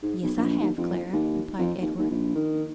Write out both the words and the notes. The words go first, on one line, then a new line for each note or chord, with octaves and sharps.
"Yes I have, Clara," replied Edward.
G#2
B1
A#1
D#2
F2
D#2
F2
D#2
D#2
A#1
D#3